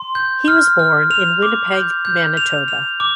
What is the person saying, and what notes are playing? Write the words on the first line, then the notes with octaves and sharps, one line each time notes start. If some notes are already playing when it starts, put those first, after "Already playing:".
He was born in Winnipeg, Manitoba.
Already playing: C6
G6
F6
F6
F7
D6
G6
G6
F7
F7
D6